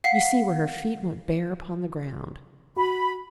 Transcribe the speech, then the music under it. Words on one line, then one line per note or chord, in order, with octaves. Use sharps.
You see where her feet went bare upon the ground.
F5 F#5 B6 C7
F#4 B5